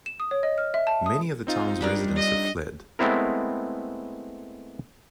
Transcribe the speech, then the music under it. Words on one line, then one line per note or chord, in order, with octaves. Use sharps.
Many of the town's residents have fled.
E7
D#6
C#5
D#5
F6
E5
A5
D#6
C4 D#4 F4
G3 D4 A#4
D#5
G#3 A3 B3 C4 E4 A#4